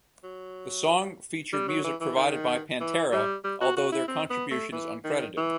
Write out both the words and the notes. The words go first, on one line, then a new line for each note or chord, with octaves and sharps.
The song featured music provided by Pantera, although their contribution is uncredited.
F#3
G3
F#3
E3
E3
D#3
E3
G3
G3
F#4
F#4
E4
C4
B3
A3
E3
D#3
E3